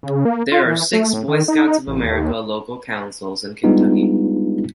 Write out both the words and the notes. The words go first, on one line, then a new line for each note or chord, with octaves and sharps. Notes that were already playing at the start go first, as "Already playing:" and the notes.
There are six Boy Scouts of America local councils in Kentucky.
C#3
A#3
F4
E3
A3
A2
D#3
D#4
A1
D#2
G3 G#3 B3 D4 D#4 F4